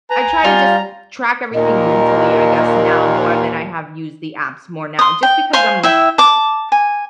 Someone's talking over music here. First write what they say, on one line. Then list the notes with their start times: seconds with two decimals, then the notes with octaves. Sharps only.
I try to just track everything mentally, I guess, now more than I have used the apps more now, just because I'm
0.10 B4 G#5 A#5
0.45 G3 F4
1.54 D#2 A#2 A#4 D#5
4.99 C6 D#6
5.23 G5
5.53 C5 F5 G#5 C#6
5.83 E4 E5 G5
6.18 A5 D6
6.72 G#5